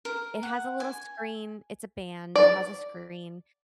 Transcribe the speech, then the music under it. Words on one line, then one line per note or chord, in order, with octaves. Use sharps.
it has a little screen, it's a band, it has a screen.
A#4
F#5
G#5
D5